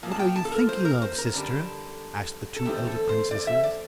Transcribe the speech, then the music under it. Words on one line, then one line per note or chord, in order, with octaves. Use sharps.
"What are you thinking of, sister?" asked the two elder princesses.
A#2 F3 A#3
A5
G5
A5
A4
A#4
C5
A#4
C5
A#4
F2 D3 G3 D4
A4
E2 D3 A3 C4 G4
A4
C5
D5
E5
D5